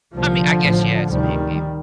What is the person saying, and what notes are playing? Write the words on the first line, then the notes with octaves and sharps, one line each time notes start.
I mean I guess, yeah, it's a man cave.
C2 A#2 D3 F3
A1 A2
D2 C3 D#3 G3